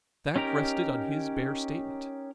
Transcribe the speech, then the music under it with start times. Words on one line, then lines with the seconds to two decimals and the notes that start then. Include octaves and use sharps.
The fact rested on his bare statement.
0.36 C#4 D#4 G4 A#4 A#5